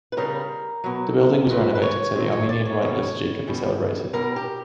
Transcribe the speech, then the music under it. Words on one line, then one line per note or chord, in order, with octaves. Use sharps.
The building was renovated so the Armenian rite liturgy could be celebrated.
B4
C#3 G3 A#4
B2 F#3
A#2 F#3 B4
B4
C#5
A#2 F#3 C#5
C#5
D5
C#5
B2 G3 C#5
B2 G3
B2 G3 A#4
G4